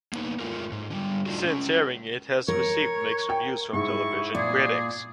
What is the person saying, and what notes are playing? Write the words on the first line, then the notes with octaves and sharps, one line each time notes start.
Since airing, it has received mixed reviews from television critics.
A#3 B3 D#4
G#3 A3 F4 A#4
G#2
D3 G3
A3 D4 D#4 F4 F#4
G#3 C#4
A#4 C#5
G5
G#2 E4 C#6
A#2 G#4 D5